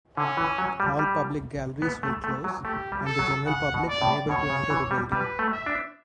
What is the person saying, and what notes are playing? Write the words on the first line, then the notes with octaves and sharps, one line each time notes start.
All public galleries will close and the general public unable to enter the building.
D3 C#4
E3
F#3
G3
G3
B3
A3
A3
F#3
A3 G4
G3
A4
F#3
C#3 F#5
B2
D5
A2
B2 C#5
C#3
E3
G3
G3 B4
A3
E5
D4